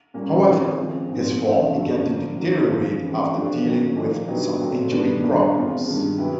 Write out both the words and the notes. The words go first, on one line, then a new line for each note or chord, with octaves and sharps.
However, his form began to deteriorate after dealing with some injury problems.
A#2 G3 A#3 C#4
D#3 G#3 C4 F4
C#3 F3 G#3 C4
G#2 F3 G#3 C4
F2 C#3 F3 A3 C4
F#2 D3 F#3 A3
D3 F3 A#3
D#3 F#3 A#3
F#2 C#3 F3
F2 C#3 E3 G#3
F3 A3 D4 G4
D#3 F#3 A#3 C#4
A#2 F3 A#3 D#4
D3 F#3 B3 D#4 G4
A#2 F#3 A3 C4
G2 D#3 G3 B3 D4
A#2 G3 A#3 D4
E2 B2 G#3 C4 F4
G2 D#3 G#3
B2 F#3 B3 E4 G4